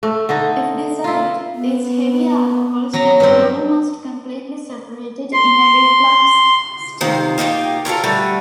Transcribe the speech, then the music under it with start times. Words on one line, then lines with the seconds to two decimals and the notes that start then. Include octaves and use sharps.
If desired, these heavier alcohols can be almost completely separated in a reflux still.
0.03 A3
0.29 D3 D#4
1.04 E4 F4
1.56 B3
2.93 F#3 A#5
3.20 G2 C4
5.33 C6
7.01 C3 D#3 F4 C5
7.38 A#3 D#4 F4 G4
7.85 F4 A4 A#4 C#5
8.04 D3 G3 A3